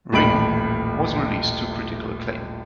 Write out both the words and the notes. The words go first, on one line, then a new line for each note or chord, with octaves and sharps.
"Ring" was released to critical acclaim.
D#1 A1 B5 D7 F#7